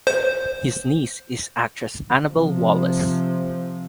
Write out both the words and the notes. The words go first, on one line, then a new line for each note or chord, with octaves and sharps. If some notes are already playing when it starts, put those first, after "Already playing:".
His niece is actress Annabelle Wallis.
C5
C3 F3